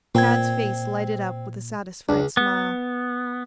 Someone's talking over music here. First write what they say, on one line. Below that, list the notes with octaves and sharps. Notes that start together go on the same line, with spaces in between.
Tad's face lighted up with a satisfied smile.
A#2 C4 G#6
C#2 D4
B3